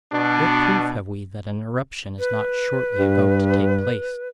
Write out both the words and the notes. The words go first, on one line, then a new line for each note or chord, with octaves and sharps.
What proof have we that an eruption is not shortly about to take place?
B2 D4
B4
G2